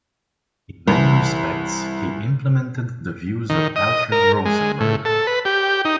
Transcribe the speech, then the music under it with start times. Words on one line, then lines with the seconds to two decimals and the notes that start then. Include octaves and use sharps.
In many respects, he implemented the views of Alfred Rosenberg.
0.88 C2 E3
3.50 D#3
3.76 D#5
4.12 A#4
4.45 G#3
4.80 A2
5.05 A4
5.27 B4
5.45 G4
5.85 D#4